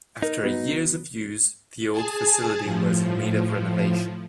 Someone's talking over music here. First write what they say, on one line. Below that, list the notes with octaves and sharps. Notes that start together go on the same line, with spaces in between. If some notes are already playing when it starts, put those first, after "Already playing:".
After years of use the old facility was in need of renovation.
D#4 A#4
F#3 B3
G#4 G#5 A5
A2 F3